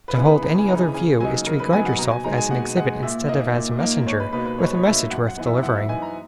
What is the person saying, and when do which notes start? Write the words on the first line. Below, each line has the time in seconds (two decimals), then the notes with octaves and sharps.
To hold any other view is to regard yourself as an exhibit instead of as a messenger with a message worth delivering.
0.08 B4
0.16 C#3 E3 B3 D#4
0.25 B4
0.42 E2 A#5
0.59 G#5
0.68 C#3 E3 B3 D#4 A#5
0.94 C#3 G#5
1.20 F#3 B3 D#4 G#5
1.46 C#3 A#4
1.60 B4
1.73 F#3 B3 D#4 G#5
1.86 F#5
1.98 B2 A#5
2.11 G#5
2.24 G#3 D#4 A#5
2.37 G#5
2.50 B2 F#5
2.76 G#3 D#4 F#5
3.03 A#2 E5
3.29 A#3 D#4 D#5
3.55 A#2
3.80 A#3 D#4
4.07 C#2 C#5
4.20 B4
4.33 B2 A#3 D#4 B4
4.46 B4
4.58 C#2 C#5
4.67 B4
4.75 C#5
4.85 B2 A#3 D#4 E5
5.11 F#2 F#5
5.28 F#5
5.37 E3 B3 D#4
5.46 E5
5.63 F#2 F#5
5.76 E5
5.88 E3 B3 D#4 G#5
6.02 A#5